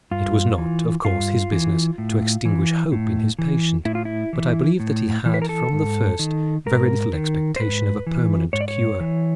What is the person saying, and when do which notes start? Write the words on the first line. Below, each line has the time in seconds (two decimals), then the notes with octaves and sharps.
It was not, of course, his business to extinguish hope in his patient, but I believe that he had, from the first, very little expectation of a permanent cure.
0.11 G2 F4
0.58 E3
1.05 G2 F4
1.52 E3
1.98 A2
2.45 E3
2.92 A2
3.39 E3
3.85 A2 E4
3.95 F4
4.05 E4
4.33 E3
4.80 A2
5.26 E3
5.34 B4
5.42 A#4
5.49 A4
5.73 G#2
6.19 D#3
6.66 G#2 A#4
7.13 D#3
7.56 C5
7.60 G#2 B4
8.07 E3
8.53 G#2 C#5
8.61 D5
8.68 C#5
9.00 E3